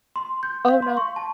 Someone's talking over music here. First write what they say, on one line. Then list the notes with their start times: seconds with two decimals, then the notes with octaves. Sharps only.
Oh, no.
0.16 C6
0.43 G6
0.69 F5
0.82 C6
0.97 C#6
1.16 A5